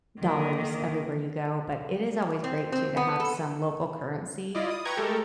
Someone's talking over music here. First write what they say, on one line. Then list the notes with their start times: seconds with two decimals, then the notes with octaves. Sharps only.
dollars everywhere you go, but it is always great too to have some local currency,
0.20 D#3 A#3
2.44 C4
2.72 C4
2.97 B3
3.20 A4
4.55 E4 F4 D5 D#5
4.70 D#6
4.85 B4 G5 A#5 C#6 G#6
4.97 G#3 A3 G4 A4 A#4